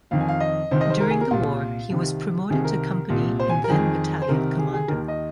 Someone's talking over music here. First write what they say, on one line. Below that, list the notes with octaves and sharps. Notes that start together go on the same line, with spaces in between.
During the war he was promoted to company and then battalion commander.
F2 D#3 F5
G#5
F5
D#5
C2 C3 D#3 C5
D#5
C5
A#4
G#4
A#4
C2 A#2 F4
C2 C3 D#3
C2 C3 D#3 G#4
A#4
C2 A#2
C5
G#5
A#4
F2 D#3 G#4
C5
C2 C3 D#3 A#4
G#4
G#4
D#2 D#3 A#4
D#5